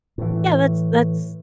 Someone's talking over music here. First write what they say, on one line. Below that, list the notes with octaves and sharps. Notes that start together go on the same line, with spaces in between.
yeah, that's that's
A2 E3